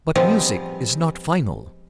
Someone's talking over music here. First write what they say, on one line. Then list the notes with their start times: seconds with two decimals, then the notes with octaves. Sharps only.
But music is not final.
0.16 F3 G3 G#3 B3 C4